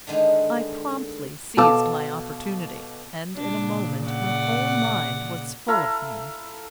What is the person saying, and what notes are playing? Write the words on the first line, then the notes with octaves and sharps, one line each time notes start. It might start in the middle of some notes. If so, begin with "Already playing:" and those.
I promptly seized my opportunity, and in a moment her whole mind was full of me.
D3 D#3 G#3 B3
B2 A4 F5 A5 D6 E6
A#2 C#3 D4
D5 F#5
E4 A4 F5 A#5